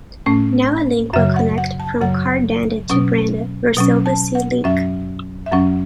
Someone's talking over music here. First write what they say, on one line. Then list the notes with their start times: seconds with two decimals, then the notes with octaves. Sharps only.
Now a link will connect from Khar Danda to Bandra - Versova Sea Link.
0.26 A2 A3 C#4
1.13 F#2 C#3 F#3 E5
1.36 F#5
1.58 F#5
1.80 A5
2.01 F#2 C#3 F#3 F#5
2.90 B2 F#3 C#4
3.77 B2 F#3 C#4
4.06 A5
4.35 F#5
4.64 F#2 F#3 C#4 E5
5.46 E5
5.52 F#2 F#3 C#4 F#5